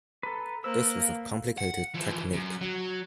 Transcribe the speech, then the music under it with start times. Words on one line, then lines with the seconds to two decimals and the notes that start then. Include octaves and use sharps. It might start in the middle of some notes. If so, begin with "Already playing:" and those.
This was a complicated technique.
0.23 A4 B4 A#5
0.64 A#3 B4 C5 E6
0.99 F5
1.58 F#5
1.94 E3 F3
2.33 F#2
2.61 F#3